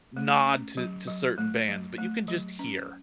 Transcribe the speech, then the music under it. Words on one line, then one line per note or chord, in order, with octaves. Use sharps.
nod to to certain bands, but you can just hear.
A3
C#4
F#3
F#3
A3
F#3
A3
F#3
C#4